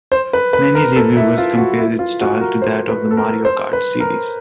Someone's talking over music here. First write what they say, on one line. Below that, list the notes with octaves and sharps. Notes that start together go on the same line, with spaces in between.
Many reviewers compared its style to that of the "Mario Kart" series.
C5
B4
B4
A#4
A4
E4
F4
F#4
E4
F4
F#4
A#4
C5
B4
A4
A#4
C5
B4
A#4